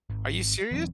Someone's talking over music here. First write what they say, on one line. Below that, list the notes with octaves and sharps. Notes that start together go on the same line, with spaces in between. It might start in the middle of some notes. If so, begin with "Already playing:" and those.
Are you serious?"
G#1
E1 E3 F#3 C4